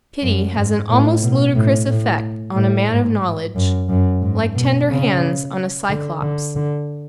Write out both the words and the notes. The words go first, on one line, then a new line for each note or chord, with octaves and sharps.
Pity has an almost ludicrous effect on a man of knowledge, like tender hands on a Cyclops.
F#2
G#2
A2
B2
A2
A2
A2
G#2
F#2
F#2
G#2
B2
C#3
D3
D3
D3